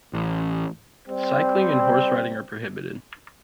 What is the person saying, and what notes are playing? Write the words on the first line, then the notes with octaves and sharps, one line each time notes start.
Cycling and Horse Riding are prohibited.
A1
G3 C4